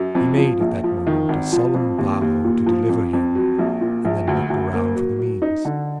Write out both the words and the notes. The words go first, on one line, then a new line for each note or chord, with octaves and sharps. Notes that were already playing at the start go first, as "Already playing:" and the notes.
He made, at that moment, a solemn vow to deliver him and then looked around for the means.
Already playing: F#2
F2
F3
A#1
F3
D#3
G#1
F3
F2
D#2
D#2
A#2
F3
F2
F2
F#3
A#1
A#2
A#1
D2
D2
A#3
F#3
F#3
D#4
D3